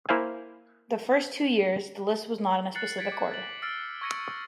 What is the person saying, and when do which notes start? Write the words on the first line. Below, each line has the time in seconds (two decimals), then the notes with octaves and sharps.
The first two years, the list was not in a specific order.
0.09 A#3 E4 C5 F5 G#5
2.75 F#6 A6 C7 C#7 F#7
2.98 F#6 G#6 A6 B6 C#7 D7
3.12 D6
3.31 A6 F#7
3.62 E6 F6 A6 C7 D7
4.01 C#6 E6 G#6 A#6 C#7 D#7